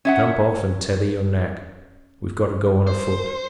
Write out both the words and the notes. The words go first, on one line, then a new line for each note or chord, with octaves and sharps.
Jump off and tether your nag. We've got to go on afoot.
C#4 E5 F#5
C5